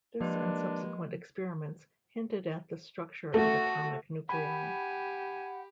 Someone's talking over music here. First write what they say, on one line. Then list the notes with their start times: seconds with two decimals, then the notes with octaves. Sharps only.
This and subsequent experiments hinted at the structure of atomic nuclei.
0.21 D#3 F3 G#3 A#3 D4 G4 B4
3.34 A3 F#4
4.29 G4 F#5 G#5 B5